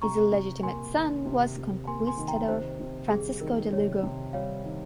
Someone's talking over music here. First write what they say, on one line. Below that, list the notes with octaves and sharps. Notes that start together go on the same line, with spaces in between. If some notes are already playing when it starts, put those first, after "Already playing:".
His illegitimate son was "conquistador" Francisco de Lugo.
C3 A#5 C#6
C3
A#3 G#5 C6
D#3
C3
C3
A#3 G#5 C6
G#5 C6
D#3
G5 A#5
C3 C5
C3
G3 G#4
D#3 A#4
C3 C#5
C3
G3 C#5 F5
D#3